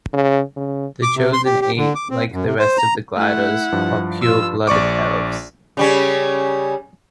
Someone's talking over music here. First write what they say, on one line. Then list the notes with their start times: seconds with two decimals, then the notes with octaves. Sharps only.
The Chosen Eight, like the rest of the Gliders, are pure-blooded elves.
0.13 C#3
0.56 C#3
1.03 D6
1.16 C3
1.33 C6
1.45 G4
1.61 G4
1.77 D3
1.95 D6
2.10 C4
2.32 F#2
2.45 C3
2.59 C5
2.78 A#5
3.17 A3 E4 F#5
3.72 G2 F3
4.22 F4 E6
4.67 A#1 D5 C#6 D6
5.77 C#3 G3 C#4